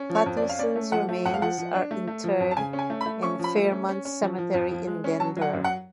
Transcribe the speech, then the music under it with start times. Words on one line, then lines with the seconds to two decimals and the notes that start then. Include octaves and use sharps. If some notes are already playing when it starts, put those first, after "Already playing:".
Patterson's remains are interred in Fairmount Cemetery in Denver.
Already playing: C#4
0.10 F3
0.15 C#5
0.26 F2
0.37 D5
0.42 C#4
0.49 F5
0.59 C#4 D5
0.76 A3
0.92 F3 F#5
1.09 A3
1.25 F2 F#5
1.34 F5
1.42 F3 F#5
1.58 F3
1.74 D4
1.91 A3
2.08 A3
2.24 F3
2.40 F2
2.51 A5
2.57 C#3 G#5
2.73 C#4
2.79 G#5
2.90 A3
3.01 B5
3.06 A3
3.23 C#4 C#6
3.39 F3 B5
3.56 A3
3.72 C#4
3.89 C#4
4.05 C#4
4.22 F3
4.38 F3
4.54 F2
4.71 F3
4.87 G#3
5.04 C#4
5.20 F#3 A5
5.37 F#3
5.42 F#5
5.53 F#2
5.64 F#5